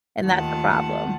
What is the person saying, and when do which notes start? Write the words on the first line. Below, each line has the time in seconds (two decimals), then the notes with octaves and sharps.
and that's the problem.
0.23 D#2 D#3 A3 F4 F#5 A5